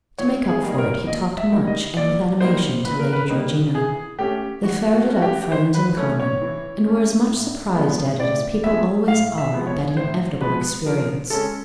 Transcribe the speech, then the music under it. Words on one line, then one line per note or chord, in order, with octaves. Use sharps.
To make up for it, he talked much, and with animation, to Lady Georgina. They ferreted out friends in common, and were as much surprised at it as people always are at that inevitable experience.
A#2 C#5
G#4
G3 A#3 D#4
A#4
A#2 D#5
E5
G3 A#3 D#4
D#5
A#2 D5
G3 A#3 D#4 C5
A#2 B4
A#4
B4
G3 A#3 D#4
E3 G#4
A3 C#4 G4
E3 F#4
F#4
A3 C#4
F#4
G4
E3 C5
B4
A3 C#4 C#5
C#5
E3
A3 C#4
A2
F3 G#3 B3
A2 D5
F3 G#3 B3 E5
A2 F5
E5
F3 G#3 B3
C#5
A2 C5
F3 G#3 B3 B4
F3 A#4
G#3 C#4 A4